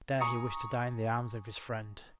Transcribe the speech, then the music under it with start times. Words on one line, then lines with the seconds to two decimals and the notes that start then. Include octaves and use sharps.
There he wished to die in the arms of his friend.
0.20 G#5 A#5 C#6 D#6 C#7